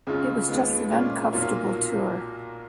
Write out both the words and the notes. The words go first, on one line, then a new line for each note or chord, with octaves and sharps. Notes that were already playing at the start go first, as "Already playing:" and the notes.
It was just an uncomfortable tour.
C#2 C#3 G#3 C#4 F4
D#2 C#3 G#3 B3
A#2 G#3 C#4 F4
B1 A#2 F#3 A#3 F4